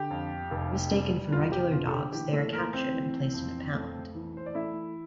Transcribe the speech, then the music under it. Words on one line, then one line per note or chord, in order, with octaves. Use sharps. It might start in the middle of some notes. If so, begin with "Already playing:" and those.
Mistaken for regular dogs, they are captured and placed in a pound.
Already playing: D3 G4
F2
F1
G3
F1 F4
G4
D3 F4
A4
G4
E3 G4
A3 A4
A4
A3 A#3 A#4
C4 C5
E3
F2
A3
E3
C5
D5
A3 E4 E5